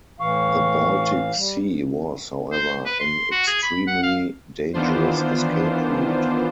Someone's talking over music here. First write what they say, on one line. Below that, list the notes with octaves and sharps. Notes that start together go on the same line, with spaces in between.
The Baltic Sea was, however, an extremely dangerous escape route.
A2 E3 F5 C#6
G3
C5
B4
C6
F#4
G#4
B5
F#5
F5
D#3 E3 B3 D4 F4 C5